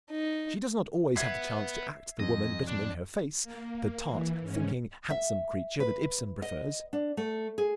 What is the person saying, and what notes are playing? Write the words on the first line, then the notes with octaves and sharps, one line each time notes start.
She does not always have the chance to act the woman written in her face, the tart, thinking, handsome creature that Ibsen prefers.
D#4
B3 E5 G#6 C7
F2 D#5
D4
A#3
E3
G#2 C#4
E5
B4
D#5
D4
A3
G#4